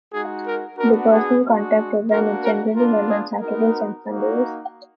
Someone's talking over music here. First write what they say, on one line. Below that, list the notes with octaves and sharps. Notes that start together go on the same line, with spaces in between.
The Personal Contact Programme is generally held on Saturdays and Sundays.
G#3 D#4 F#4 G#4
A#4
B3 D4 F#4 A#4
G#4
G#3 D4 F#4
A#3 D4 F#4 A#4
A#4
B3 D4 F4 A#4
G#4
B3 D#4 F#4 A#4
A#3 D#4 F#4